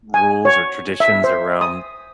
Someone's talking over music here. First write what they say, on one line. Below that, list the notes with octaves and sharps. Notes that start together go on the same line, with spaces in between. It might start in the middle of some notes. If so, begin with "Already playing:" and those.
rules or traditions around
G#5
C#5
E5
C5
D#6